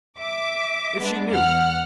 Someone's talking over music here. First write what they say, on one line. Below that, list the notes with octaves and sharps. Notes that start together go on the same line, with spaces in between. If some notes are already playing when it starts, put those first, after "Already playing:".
If she knew!
E5 D6
G#3 B3 D4
E2 F#5 F6